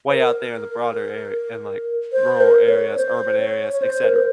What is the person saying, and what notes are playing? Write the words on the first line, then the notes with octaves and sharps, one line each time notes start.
way out there in the broader are and, like, rural areas, urban areas, etcetera.
C5
A#4
C5
A#4
C#5
C5
C#5
C#5
C5
A#4
C5